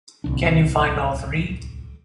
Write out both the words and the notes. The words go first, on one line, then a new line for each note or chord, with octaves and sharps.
Can you find all three?
D1 C2 D4